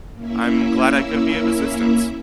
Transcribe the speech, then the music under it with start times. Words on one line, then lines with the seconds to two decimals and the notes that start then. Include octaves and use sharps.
I'm glad I could be of assistance.
0.15 A#3 C#4 E4 E5